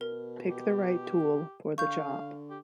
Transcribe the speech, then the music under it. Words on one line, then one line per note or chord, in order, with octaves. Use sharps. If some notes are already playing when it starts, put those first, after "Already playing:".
Pick the right tool for the job.
B2 A#4
G4
D3 F5 C#6 G6
G4